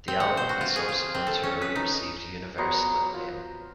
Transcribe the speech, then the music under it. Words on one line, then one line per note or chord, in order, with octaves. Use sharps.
The album and subsequent tour received universal acclaim.
C4
F#5
C5
F#4
F4
G#4
F4
C4
A4
C#4
B4
D#4
F#3 B3 C5 A#5
F4